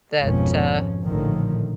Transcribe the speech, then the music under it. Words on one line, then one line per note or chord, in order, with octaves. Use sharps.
that, uh,
G#1 F2 G#2 B2 F3 C#4
A#1 A2 D3 D#3 F3